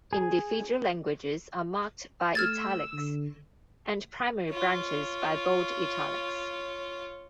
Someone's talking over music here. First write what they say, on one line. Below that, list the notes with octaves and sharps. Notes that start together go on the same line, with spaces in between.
Individual languages are marked by "italics", and primary branches by bold italics.
G#4
A3 E6 F6 G#6 A6
D3
F4 C#5